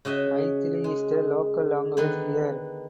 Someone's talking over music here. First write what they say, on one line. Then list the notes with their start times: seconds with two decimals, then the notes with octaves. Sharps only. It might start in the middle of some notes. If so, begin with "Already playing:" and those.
Maithili is the Local Language here.
0.05 C#3 F#4 D#5 E5
0.84 G#3
1.97 D3 D#3 B3